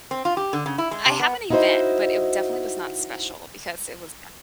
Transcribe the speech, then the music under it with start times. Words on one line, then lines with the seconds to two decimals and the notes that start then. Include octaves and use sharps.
I have an event, but it definitely was not special because it was
0.11 C4
0.25 F4
0.37 G4
0.53 D3
0.66 C#3
0.78 E4
0.91 G#3
1.06 C3
1.20 B3
1.50 D#4 E4 F#4 A4 C5 D#5